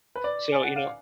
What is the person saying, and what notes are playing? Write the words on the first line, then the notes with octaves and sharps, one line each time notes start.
So, you know
B4
D5
G#5
F#5
F5